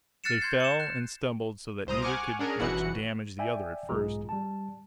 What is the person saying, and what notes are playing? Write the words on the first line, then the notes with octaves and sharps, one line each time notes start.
They fell and stumbled so that neither could much damage the other at first.
F6 F#6 A6 C7 C#7 E7
C6 G6 G#6 C7
C#7 E7
F#6
C2 C5 A#5 D#6
F#5 G#5 C#6 D6 F6
C#4 D4 G#4 A#4
G1 B2 E3 F#4 F#5 C#7
D5 E5 G5 G#5
B1 G#2 G#3 F4 G#4 A#5
G3 A5